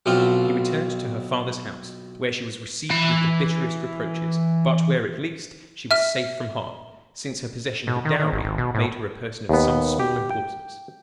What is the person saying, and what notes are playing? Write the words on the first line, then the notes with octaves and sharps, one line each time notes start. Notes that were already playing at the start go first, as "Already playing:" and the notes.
She returned to her father's house, where she was received with the bitterest reproaches, but where, at least, she was safe from harm, since her possession of a dowry made her a person of some small importance.
B1 B2 C4 F4 F#5
E3 B5
E5 F6
B2
D#3
D#3
G#1
G#1
B2
A2
D#2 B3
G4
G5